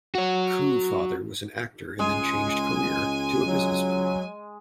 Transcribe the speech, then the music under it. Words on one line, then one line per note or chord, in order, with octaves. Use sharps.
Koo' father was an actor and then changed career to a businessman.
F#4 C#5
C#2 G#3 G#5
F#3